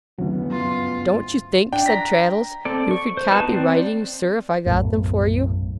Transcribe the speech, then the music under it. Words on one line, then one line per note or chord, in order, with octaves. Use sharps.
'Don't you think,' said Traddles, 'you could copy writings, sir, if I got them for you?'
F#1 D2 F#3 B3
G2 F4
D4 G5
A#5 A#6 B6
C4 A4 D5
C#6
C5
B3 D#4 F#4 B4 A5
C4 D5
B1 F#2 A2